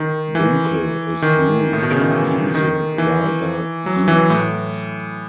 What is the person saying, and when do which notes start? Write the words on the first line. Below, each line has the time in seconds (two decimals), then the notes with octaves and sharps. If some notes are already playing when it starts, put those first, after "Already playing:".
Dunkel is brewed using lager yeasts.
Already playing: D#3
0.35 E3
1.22 D#3
1.73 A2
1.82 B2
1.91 C#3
2.01 D#3
2.11 E3
2.55 D#3
2.98 E3
3.86 F#3
4.08 E3
4.30 A2